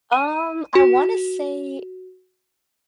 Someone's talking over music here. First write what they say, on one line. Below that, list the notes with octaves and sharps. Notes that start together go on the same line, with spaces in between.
Um, I wanna say
D#7
F#4